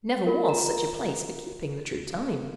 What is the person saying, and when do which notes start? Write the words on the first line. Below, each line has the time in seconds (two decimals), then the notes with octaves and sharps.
Never was such a place for keeping the true time.
0.27 F4 A#4
0.49 A#5